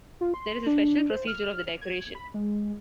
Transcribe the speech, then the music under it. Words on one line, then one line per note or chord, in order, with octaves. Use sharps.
There is a special procedure of the decoration.
F4
C6
D4
C5
F6
G#6
B5
G#3